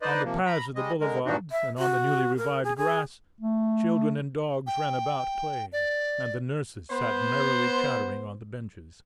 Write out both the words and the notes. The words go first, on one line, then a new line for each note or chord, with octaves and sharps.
On the paths of the boulevards and on the newly-revived grass, children and dogs ran about, playing, and the nurses sat merrily chattering on the benches.
D#4 B4 C5 D5 D#5
C3 F3 A#3
A#5 B5
G3 G#3 D#5
D3 G#3 A#4
G2 A#2 E3 D4 D#4 F#4
E5
F#4
A#4
G#4
G#4
A3
G5
D5
B3 C5